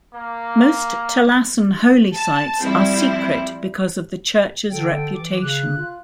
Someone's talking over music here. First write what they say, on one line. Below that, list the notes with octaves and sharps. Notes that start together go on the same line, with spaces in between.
Most Talassan holy sites are secret because of the church's reputation.
A#3
A5
F3 G3 C4 E4
D3 A4 G5
E3 D6
C#3 F#6
F4